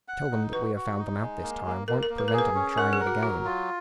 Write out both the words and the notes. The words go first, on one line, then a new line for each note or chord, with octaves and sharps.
To tell them that we have found them out this time won't prevent 'em trying it again.
F#5
D#4
F#4 B4
F#4
D#4
G#3
A#3
A#3
A#3 A#4
A#4
A#3
B4
A#4
G#4
B4
C#4
A#4 F#5
G#4
A#4
F#4
F#3 F#4
F4